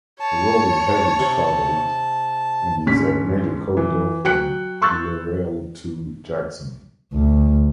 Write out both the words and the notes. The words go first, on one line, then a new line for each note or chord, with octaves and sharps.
The road is heavily traveled, and is a major corridor from Laurel to Jackson.
C#5 A5
C3
G#2 D3 C#4 B6
E3
F#3 G5 F#6 C#7
C6 C#6 E6 F#6 G6 A6
D2